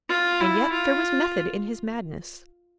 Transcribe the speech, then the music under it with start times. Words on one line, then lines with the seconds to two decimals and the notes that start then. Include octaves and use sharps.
And yet there was method in his madness.
0.09 F4
0.41 E4
0.72 F4